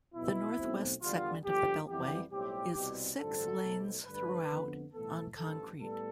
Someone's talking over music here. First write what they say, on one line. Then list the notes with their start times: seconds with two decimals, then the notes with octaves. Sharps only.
The northwest segment of the beltway is six-lanes throughout, on concrete.
0.14 B1 B2 B3 E4
0.58 B1 B2 A3 C4
1.01 E2 D3 G3 B3 F4
1.44 G1 G2 D3 F3 G4
1.88 F2 E3 G3 B3 G4
2.31 B1 A2 G3 C4 G4
2.75 C2 B2 G3 C4
3.19 A1 G2 D3 F3 C4 A4
3.62 B1 B2 A3 C4
4.06 G2 D3 A3 B4
4.50 F2 D3 F3 B3
4.92 B1 A2 E3 B3 A4
5.36 A1 G2 F3 A4
5.80 A2 G3 B3 A4